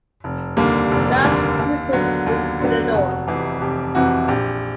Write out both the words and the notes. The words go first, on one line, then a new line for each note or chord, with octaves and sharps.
Las Cruces is to the north.
F1
D#2 D3 G3 A#3
F1
D#2 D3 G3 A#3
D#2
D3 F#3 B3
D#2
D3 F#3 B3
F1 F#4
F2 C3 E3
F1 G4
F2 C3 E3 F#4
A#1 G4